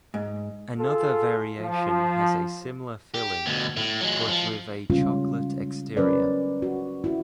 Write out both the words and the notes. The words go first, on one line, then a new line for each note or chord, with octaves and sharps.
Another variation has a similar filling, but with a chocolate exterior.
G#2
F4 G#4 A4
F3
G4
D2 B2
A2
F#3 G#3
F3
C#3 G3 G#3 C#4 F4
F#3 C#4 A#4 B4 D5
F#4
E4 F#4